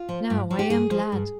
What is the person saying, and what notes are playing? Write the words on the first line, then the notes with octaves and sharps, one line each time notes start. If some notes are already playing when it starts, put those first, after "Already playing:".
Now I am glad!'
Already playing: F4
F3
G2
F3
G4
G2 G#4
F3
G2